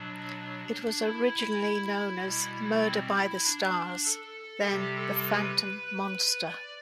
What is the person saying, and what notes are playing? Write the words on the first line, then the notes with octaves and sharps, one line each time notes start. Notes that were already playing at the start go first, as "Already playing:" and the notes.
It was originally known as "Murder by the Stars" then "The Phantom Monster".
Already playing: B2 F#3 D4
E4
B2 G3
C4
E4
D4
A4
C3 G3 G4
A4
B4
D5